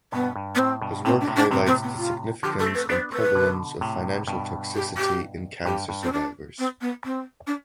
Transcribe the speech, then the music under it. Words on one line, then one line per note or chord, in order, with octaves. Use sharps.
His work highlights the significance and prevalence of financial toxicity in cancer survivors.
G2 B2 B3
G2
B3
A2 C4
G2 B2
A2 C3 C4
D4
A2 C3
D4
A2 C3 C4
C4
B3
F4
D3 F3 G4
A4
A3 C4
B4
B3 D4 C5
A3 C4 B4
B2 D3
A2 C3
G2 B2
G4
G4
G2 G4
G2
C4
D4
C4
B3
C4
D4